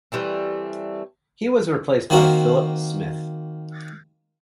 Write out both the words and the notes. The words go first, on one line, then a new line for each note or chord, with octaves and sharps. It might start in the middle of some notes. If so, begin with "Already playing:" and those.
He was replaced by Phillip Smith.
E3 G3 A3 C4
D#3 A#3 C4 F#4 A#4